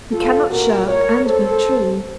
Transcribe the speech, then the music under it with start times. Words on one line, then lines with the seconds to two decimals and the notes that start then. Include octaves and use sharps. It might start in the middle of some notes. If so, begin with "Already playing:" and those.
We cannot shirk and be true.
0.12 F4 A4
0.50 A#2 F#4 A#4
0.88 A#4 C#5
1.25 A4 C5